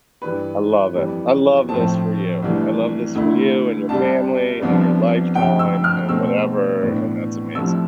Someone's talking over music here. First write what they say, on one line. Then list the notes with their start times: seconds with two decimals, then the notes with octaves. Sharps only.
I love it. I love this for you. I love this for you and your family and your lifetime and whatever, and that's amazing.
0.22 G2 E3 G3 B4
0.95 F2 E3 G3
1.69 A2 F3 A3 C4 A5
2.42 C2 C3 E3 A3 D4
3.15 D2 D3 A3 E4
3.89 C2 C3 G3 A5
4.62 C2 C3 F3 B3 D4
5.35 D2 C3 F3 G5
5.59 E6
5.84 F6
6.08 B2 A3 C4 E6
6.82 A2 E3 B3 D4
7.55 C2 C3 F3 A3 E4 E6